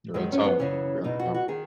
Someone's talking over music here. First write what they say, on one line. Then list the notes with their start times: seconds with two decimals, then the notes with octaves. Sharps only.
Real talk, real talk.
0.14 F#2 D#3 G#3
0.32 C#4
0.44 B3
0.59 F#2 C#3 E3 C#4
1.04 E2 B2 D#4
1.20 F#4
1.34 F#4
1.48 D#3 G#4